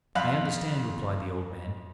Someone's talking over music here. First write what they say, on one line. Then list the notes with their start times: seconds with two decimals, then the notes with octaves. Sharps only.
"I understand," replied the old man.
0.15 F2 F5 B5 F#6